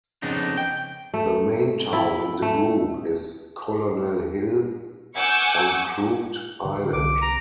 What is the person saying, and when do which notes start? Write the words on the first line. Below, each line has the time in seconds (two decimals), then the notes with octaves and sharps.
The main town in the group is Colonel Hill on Crooked Island.
0.22 F2 C#3 B3 D4 D#4
0.57 G5
1.14 A3
1.93 E4
2.42 A3
5.14 F#5 G#5 C#6 D6 E6 G6
6.65 D3 E3 F#3
6.93 C2 D6
7.22 A#5